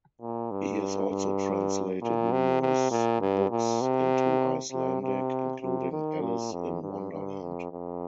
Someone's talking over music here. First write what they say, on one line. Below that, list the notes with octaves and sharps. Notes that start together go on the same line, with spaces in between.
He has also translated numerous books into Icelandic, including Alice in Wonderland.
A#2
G2
G2
A#2
C3
C3
A#2
G2
A#2
C3
C3
C3
C3
D#3
A#2
F2
G2
G2
F2
F2